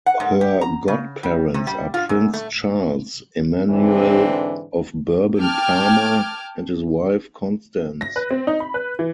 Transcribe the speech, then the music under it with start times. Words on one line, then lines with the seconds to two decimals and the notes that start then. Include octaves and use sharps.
Her godparents are Prince Charles-Emmanuel of Bourbon-Parma and his wife Constance.
0.06 F#5
0.20 G#2
0.41 G4
0.61 A#5
0.88 C#3
1.23 G3
1.54 C3
1.67 G3
1.94 F4
2.09 F#2
2.34 A3
3.70 G#2 D3 E3 C4 D4
5.39 G5 A5 D6 F6 G#6
8.01 A#6
8.16 B4
8.31 C4
8.47 D#4
8.60 B5
8.74 B4
8.99 E3